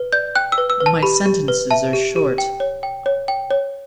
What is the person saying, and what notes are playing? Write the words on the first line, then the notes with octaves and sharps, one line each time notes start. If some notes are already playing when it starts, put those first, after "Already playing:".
My sentences are short.
Already playing: B4
D5 G6
G5 F#6
E6
B4
E6
B4
A5
G4 B5
G4
B4
E5 A5
G4
G4
G5
C#5
G5
C#5
G5
C#5